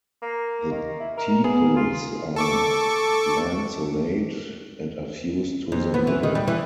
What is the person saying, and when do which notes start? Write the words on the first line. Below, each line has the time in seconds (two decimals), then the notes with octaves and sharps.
The tepals are lanceolate and are fused to the middle.
0.22 A#3
0.71 D#3
1.00 E4
1.17 A#4
1.44 B3 G#4
1.76 F4
2.36 A4 C#6 D6
5.72 F2
5.94 B3
6.07 E3
6.23 D#3
6.35 G3
6.48 E3